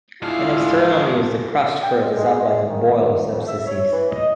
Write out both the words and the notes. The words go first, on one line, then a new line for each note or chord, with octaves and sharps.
In external use, the crushed fruit is applied on boils, abscesses.
G#2 D4 E4 F4 G#4 F5
G5
G#3
G#3
G#3
D#3
F2
E5
C#5
E3
D#5